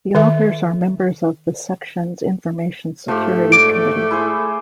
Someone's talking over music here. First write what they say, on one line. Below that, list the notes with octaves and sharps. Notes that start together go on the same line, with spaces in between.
The authors are members of the Section's Information Security Committee.
D#3 A4 E5
G#2 F3 A3 G4 A4
C#5 D5 D6 D7
E4 G#4 C5